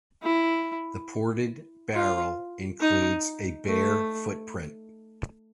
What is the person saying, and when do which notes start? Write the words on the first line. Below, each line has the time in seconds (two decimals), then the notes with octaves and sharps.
The ported barrel includes a bear footprint.
0.23 E4
1.94 F4
2.80 D#4
3.65 A3